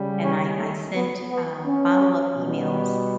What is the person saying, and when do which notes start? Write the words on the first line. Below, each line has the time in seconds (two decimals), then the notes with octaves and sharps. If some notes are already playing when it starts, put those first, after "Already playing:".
and I I sent, uh, follow-up emails,
Already playing: C#3 G3
0.23 C#4
0.59 A3
0.95 B3
1.30 B3
1.66 C#4
2.38 B2 G3